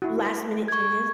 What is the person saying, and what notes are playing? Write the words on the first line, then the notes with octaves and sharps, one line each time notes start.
last minute changes,
E4 F#4
C#6 G#6